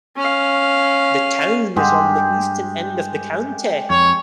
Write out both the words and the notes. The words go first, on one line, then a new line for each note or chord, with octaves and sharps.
The town is on the eastern end of the county.
C#4 F5
G2 G#3 G4
F2 C#5